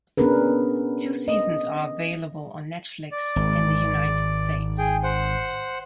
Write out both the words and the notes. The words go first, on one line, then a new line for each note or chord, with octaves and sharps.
Two seasons are available on Netflix in the United States.
B3 C#4 D4 G#4 A#4 B4
D#5
D5
G#1
G#4 G5
C5 F#5